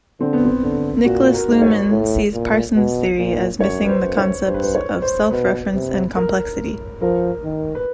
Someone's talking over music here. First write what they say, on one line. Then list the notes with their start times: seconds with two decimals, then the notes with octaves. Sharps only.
Niklas Luhmann sees Parsons’ theory as missing the concepts of self-reference and complexity.
0.20 D3 C4
0.33 B3
0.45 C4
0.63 D3
1.05 A#2 F#4
1.34 A#4
1.48 G#2
1.62 C#5
1.90 A2
2.34 A#2
2.76 B2
3.18 A#2
3.61 F#2 C#5
3.85 B4
3.89 C5
4.03 F#2
4.18 C#5
4.46 G2 C5
4.54 B4
4.63 C5
4.75 C#5
5.02 C5
5.31 B2 B4
5.74 C3
6.16 A#4
7.02 F3 A#4
7.44 D#3
7.75 B4